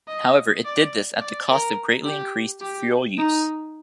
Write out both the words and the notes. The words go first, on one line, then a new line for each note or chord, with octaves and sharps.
However, it did this at the cost of greatly increased fuel use.
D#5
D5
D5
A#4
G4
G4
D#4